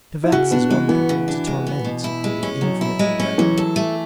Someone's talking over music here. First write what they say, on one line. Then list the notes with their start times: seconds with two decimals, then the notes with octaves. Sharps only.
To vex is one thing; to torment would be infinitely better.
0.24 E4
0.32 C#3 F#4
0.51 B3 D4
0.70 E3 G#3
0.89 E3 B3
1.09 C#3
1.28 D4
1.47 G#3
1.67 B3
1.85 B2
2.04 E4
2.24 G#3
2.43 C#4
2.61 B2 F#3
2.81 E4
2.99 G#3
3.20 C#4
3.38 E3 F#3
3.57 A4
3.76 A3